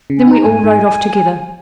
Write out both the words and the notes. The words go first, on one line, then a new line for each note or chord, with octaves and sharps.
Then we all rode off together.
C#3
G#5
D#4 A#5
G#5
G#2
G#2